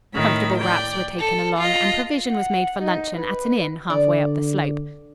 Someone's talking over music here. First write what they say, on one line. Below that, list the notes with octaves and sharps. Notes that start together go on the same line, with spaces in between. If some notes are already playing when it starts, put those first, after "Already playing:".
Comfortable wraps were taken along, and provision was made for luncheon at an inn half way up the slope.
A2 D#3 B5
D5 G5
A4
F4 D#5
F#5
D#4
B4
D3 D5